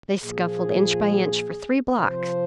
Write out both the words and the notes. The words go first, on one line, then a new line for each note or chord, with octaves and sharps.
They scuffled inch by inch for three blocks.
A#2 F3 G#4
C3 F3 C5